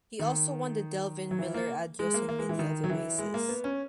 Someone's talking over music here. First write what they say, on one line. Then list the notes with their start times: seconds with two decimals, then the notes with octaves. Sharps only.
He also won the Delvin Miller Adios and many other races.
0.19 D#3
1.31 F#3
1.39 E3
1.54 A#3
1.99 G#3
2.14 A#3
2.29 A#3
2.39 G#3
2.49 E3
2.59 D#3
2.84 F#3
2.90 E3
3.19 G#3
3.34 A#3
3.49 B3
3.64 C#4